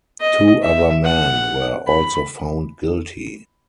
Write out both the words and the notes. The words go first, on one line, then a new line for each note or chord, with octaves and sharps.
Two other men were also found guilty.
D#5
E5
F#5
B5